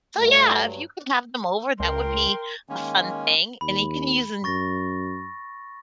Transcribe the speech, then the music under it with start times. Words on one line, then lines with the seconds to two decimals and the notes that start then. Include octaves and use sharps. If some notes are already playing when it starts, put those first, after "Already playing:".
So, yeah, if you can have them over, that would be a fun thing. And you can use an
0.17 G2 F#3 A3
1.80 C#2 A#4 G5 C6
2.69 D#3 G#3 A#3 C#4
3.61 D#2 B5
4.44 F#2 C#6 A6 A#6